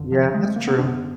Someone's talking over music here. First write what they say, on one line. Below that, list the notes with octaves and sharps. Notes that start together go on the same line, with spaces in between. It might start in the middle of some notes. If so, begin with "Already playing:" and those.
Yeah, that's true.
Already playing: F#1 F2 D3
F3
G#3
G#3
A#3
B3
G#1 F#2 D3 D4
B3